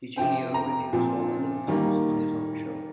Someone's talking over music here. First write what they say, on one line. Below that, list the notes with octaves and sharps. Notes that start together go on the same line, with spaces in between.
Digilio reviews all the new films on his own show.
C3 F3 C4 G5
A#5
A#2 F3 C4
D#3 G3 A#3